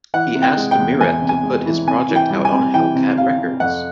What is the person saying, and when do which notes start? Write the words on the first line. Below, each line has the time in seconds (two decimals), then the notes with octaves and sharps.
He asked Miret to put his project out on Hellcat Records.
0.14 E3 F#5
0.35 C3
0.42 G5
0.57 G#3
0.71 G5
0.79 E2
1.01 E2 G#5
1.22 C3
1.29 G#5
1.43 G#3
1.65 E3
1.87 C3 G#5
2.09 E3
2.16 G5
2.30 G3
2.45 G#5
2.52 C3
2.74 E3 G5
2.95 C3
3.17 C3 F5
3.38 C3
3.60 F2 F#5